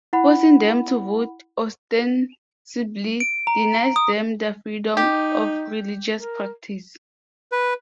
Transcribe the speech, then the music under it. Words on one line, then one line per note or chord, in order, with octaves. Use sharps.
Forcing them to vote ostensibly denies them their freedom of religious practice.
E4 F#5 B5
D7
A#5
D#6
D#4 G4
A#4
B4